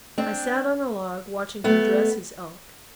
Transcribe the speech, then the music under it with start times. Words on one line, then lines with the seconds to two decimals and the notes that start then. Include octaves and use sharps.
I sat on a log watching him dress his elk.
0.18 C4 D4
1.64 A3 B3